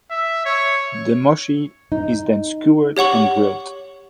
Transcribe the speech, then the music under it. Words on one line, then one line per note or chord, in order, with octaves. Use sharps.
The mochi is then skewered and grilled.
E5
C#5
D#4
G4 C#5 F#5 C#6 F#7